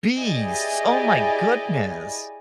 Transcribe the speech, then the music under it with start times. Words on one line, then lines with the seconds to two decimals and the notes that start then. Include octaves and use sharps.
beasts. Oh my goodness.
0.18 E4 G4 G#4 D5 D#5 G#5